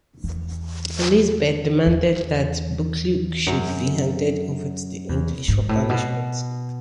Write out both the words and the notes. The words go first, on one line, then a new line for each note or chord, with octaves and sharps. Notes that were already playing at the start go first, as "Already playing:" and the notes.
Elizabeth demanded that Buccleuch should be handed over to the English for punishment.
E2
E2
F#2
E2
G#2
A2
B2